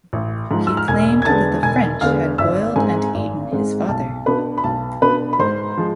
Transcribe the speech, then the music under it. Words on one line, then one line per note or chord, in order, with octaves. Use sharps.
He claimed that the French had boiled and eaten his father.
A1
G#2 F3
E6
F6
E1 G#5 G#6
G#6
E2 D3 G#3 B3 A5 A6
E1 G#5 G#6
E2 D3 G#3 B3 F5 F6
G#1 E5 E6
G#2 G#3 C4 G#5
G#1
G#2 G#3 C4
B1 A5
B2 B3 D4 B4 B5
B5
B1 A5
B2 B3 D4 B4 B5
B5
G#2 C5 C6
F3 G#3